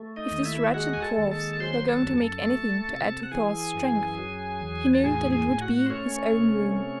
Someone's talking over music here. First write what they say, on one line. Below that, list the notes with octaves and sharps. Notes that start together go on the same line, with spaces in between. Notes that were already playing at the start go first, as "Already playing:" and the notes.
If these wretched dwarfs were going to make anything to add to Thor's strength he knew that it would be his own ruin.
Already playing: A3
D#4 D#5
D#2
E4 E5
G#3 F#4 F#5
G#5
A4 A5
D#2
A4 A5
A5
F#3 C5 C6
A4 A5
F#2
A4 A5
A3
C3
F#5
E3 G#4 G#5
F#2
F#3
E2
A5
A2 G#4 G#5
G#4 G#5
A2
F#4 F#5
C5
A3 C#4 C#5
C3
A3